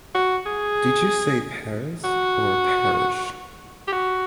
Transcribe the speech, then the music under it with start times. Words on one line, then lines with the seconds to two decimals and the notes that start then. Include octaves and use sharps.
Did you say Paris or Parish?
0.15 F#4
0.46 G#4
2.04 F#4
3.88 G4
3.92 F#4